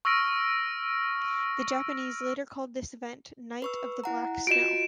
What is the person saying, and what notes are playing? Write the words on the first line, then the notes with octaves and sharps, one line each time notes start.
The Japanese later called this event Night of the Black Snow.
C#6 E6 F6 A#6 D7
B4 C#6 E6
E4 F#5 A#5
F4 F#4 D#5 D7 E7